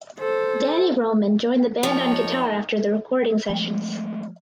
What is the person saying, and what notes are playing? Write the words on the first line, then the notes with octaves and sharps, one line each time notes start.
Danny Roman joined the band on guitar after the recording sessions.
A4 C5
F2 F3 D#4 C#5
F3 G#3 A3